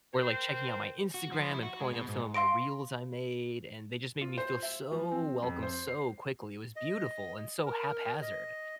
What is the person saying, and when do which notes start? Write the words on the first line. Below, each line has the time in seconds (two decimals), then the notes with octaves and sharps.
were, like, checking out my Instagram and pulling up some of my reels I made, and they just made me feel so welcome so quickly; it was beautiful and so haphazard.
0.13 C4 A#4 C5
1.14 F#4
1.32 F3
1.50 E4
1.62 F#4
1.80 G#3
1.93 B2
2.07 G#2
2.34 F5 C6 A#6 D7
4.21 F4
4.38 C5
4.62 E5
4.92 F3
5.11 C4
5.43 F2
5.63 C5
5.88 C7
6.76 D#5
7.66 A#4
8.22 D#5